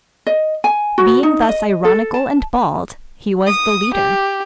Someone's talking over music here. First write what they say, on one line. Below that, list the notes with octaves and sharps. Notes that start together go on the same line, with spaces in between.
Being thus ironical and bald, he was the leader.
D#5
G#5
F#4
D#4
D#5
A4
A5
D#6
G4